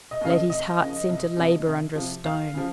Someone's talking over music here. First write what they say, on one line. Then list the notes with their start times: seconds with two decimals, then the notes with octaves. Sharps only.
Letty's heart seemed to labor under a stone.
0.11 D#5
0.21 D#2 C#3 F3 F5
0.30 D#5
0.50 F1 D#5
0.79 D#2 C#3 F3
1.08 C2
1.37 C3 F3
1.66 C2
1.95 C3 F3
2.25 D#2 F5
2.54 C#3 F3